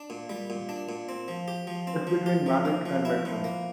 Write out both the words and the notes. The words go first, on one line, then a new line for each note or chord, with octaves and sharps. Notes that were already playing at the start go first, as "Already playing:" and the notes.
It's between magic and medicine.
Already playing: D4
A#2
G3
A#2
D4
A#2
C4
F3
G4
F3
C4
F3
G4
F3
A#3
F3
E4
F3
A#3